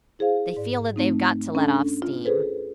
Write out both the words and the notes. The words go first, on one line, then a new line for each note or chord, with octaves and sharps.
They feel that they've got to let off steam.
E4 G#4 C5 F5
G#2 D5
A3 C4 D#4
C#4 D4 A4 B5
F4
G#4 A4 B4 C5